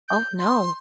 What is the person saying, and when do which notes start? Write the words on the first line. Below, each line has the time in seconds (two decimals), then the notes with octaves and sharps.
Oh, no.
0.09 G6
0.39 C6